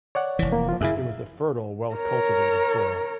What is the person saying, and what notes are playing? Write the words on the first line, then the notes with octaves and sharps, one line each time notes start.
It was a fertile, well-cultivated soil.
C#5 D5 F#5
F1 E3
A#3
F3 F4
F#2 C#3 E4 G#4 E5
A#4 C#5